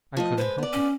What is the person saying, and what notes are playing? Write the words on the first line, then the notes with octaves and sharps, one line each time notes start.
I couldn't help it.
F3 A3 D#5
G#3 B4 C5
B3 D5
C#4